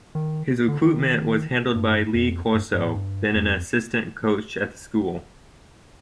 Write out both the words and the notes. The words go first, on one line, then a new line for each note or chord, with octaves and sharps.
His recruitment was handled by Lee Corso, then an assistant coach at the school.
D#3
D3
D#3
G2
F2
G2
G2
A2
G2
F2